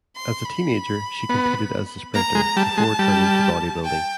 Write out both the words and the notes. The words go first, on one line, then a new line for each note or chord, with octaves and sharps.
As a teenager she competed as a sprinter before turning to bodybuilding.
C6
B5
B3
A#3 A#5
G#3
G3 A5
G#3
G3
G5